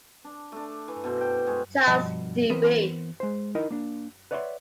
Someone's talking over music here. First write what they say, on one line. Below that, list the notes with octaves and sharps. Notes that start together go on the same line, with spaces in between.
Charles D. B.
D4
A3 D4
E3
B2 A4 C5
G5
G#3 C#5
G2 B2 F3 D#5 A5 B5
E3 B3 C4 A#4 B4
G#3 C5
D#4 E4 A#4 D#5
A#3 D4
B4 C#5 D5 E5 F#5 C6